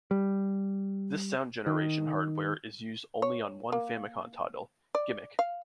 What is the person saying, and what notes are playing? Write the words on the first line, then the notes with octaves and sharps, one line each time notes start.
This sound generation hardware is used on only one Famicom title: "Gimmick!".
G3
D#3
C#5
A#3
D5
F5